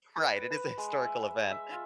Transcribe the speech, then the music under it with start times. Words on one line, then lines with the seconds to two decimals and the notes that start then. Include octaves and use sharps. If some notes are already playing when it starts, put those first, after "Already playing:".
Right, it is a historical event.
0.18 B4
0.51 B5
0.78 G#3
1.05 E5
1.51 E5
1.72 F4